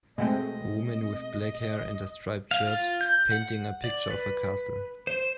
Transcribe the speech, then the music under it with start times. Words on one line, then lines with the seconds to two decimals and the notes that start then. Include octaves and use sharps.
A woman with black hair and a striped shirt, painting a picture of a castle.
0.18 B2 G#3 A3 C4 D#5 F#5 G5
2.51 F5
2.67 F4
3.01 G6
3.32 F#5
3.84 D5
4.11 B4
5.07 C5